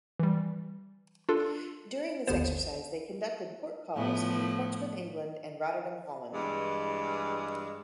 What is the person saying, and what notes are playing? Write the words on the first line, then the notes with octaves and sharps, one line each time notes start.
During this exercise, they conducted port calls in Portsmouth, England and Rotterdam, Holland.
E3 G3
D4 F4 A4
G#1 D#2 D3 B3 C5 E7
A2 F3 B3
G2 E3 G#3